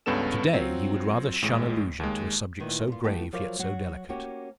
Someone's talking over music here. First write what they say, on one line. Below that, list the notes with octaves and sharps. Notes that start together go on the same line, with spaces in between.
To-day he would rather shun allusion to a subject so grave, yet so delicate.
C#2 G2 B3 C#4 A4 E7
F#3 C4 F4
A1 A2 G#3
D#2 G#3
D2 A#2 D#3 E3
A#2 F4
E3 A3 B3 G4 A5
F3 F#3 A#4 D5 F5
F#3 F#4
A#3 C#4 F#4 G4 C#5